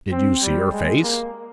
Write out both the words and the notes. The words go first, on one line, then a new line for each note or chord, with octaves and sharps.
"Did you see her face?"
C4
G3
G#3
A#3